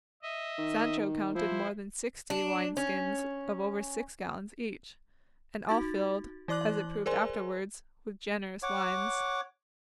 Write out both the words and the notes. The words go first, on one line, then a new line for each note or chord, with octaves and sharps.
Sancho counted more than sixty wine skins of over six gallons each, and all filled, as it proved afterwards, with generous wines.
D#5 E5
D#3
F3 E4 C5
D4
C#4
D#4 F#4 A6
E3 E4 D5 D6 F#6 F#7
G#4 A#4 C5 D5 G#5 C6
C#5 F#5 D6